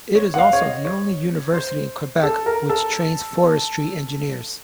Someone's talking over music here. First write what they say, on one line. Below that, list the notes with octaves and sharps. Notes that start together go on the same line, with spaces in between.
It is also the only university in Quebec which trains forestry engineers.
C#5
F#5
F5
C#5
D#5
C#5
C5
A4
A#4
A4